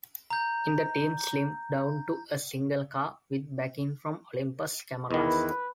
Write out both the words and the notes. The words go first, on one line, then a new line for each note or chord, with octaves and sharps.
In the team slimmed down to a single car, with backing from Olympus Cameras.
A#5 G6
E2 D#3 E4 B4